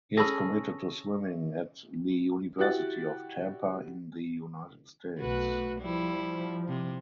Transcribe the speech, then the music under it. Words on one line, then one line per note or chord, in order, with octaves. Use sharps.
He has committed to swimming at the University of Tampa in the United States.
C#4 G#4 A4 B5 C#6 E6 A#6
E4 F#4 G4 F#5 F#6 A6
B1 A3 F#4 B4
F3 G3 E4
C3